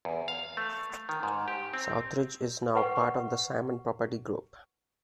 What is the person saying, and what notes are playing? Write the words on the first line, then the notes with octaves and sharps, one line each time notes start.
Southridge is now part of the Simon Property Group.
E2
F5
A3
D#3
G#2
G4
C4
B4 F#5 C#6